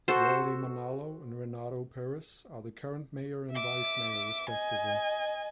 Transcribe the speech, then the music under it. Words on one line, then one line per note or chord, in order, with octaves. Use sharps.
Jurly Manalo and Renato Perez are the current mayor and vice mayor, respectively.
F#4 A4 C5
E5 D6
D#5 G#5